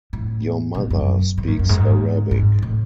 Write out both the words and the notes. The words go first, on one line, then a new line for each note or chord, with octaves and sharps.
Your mother speaks Arabic.
A2
B2
F#2
G#2
F#2
F#2
G#2
G#2
A2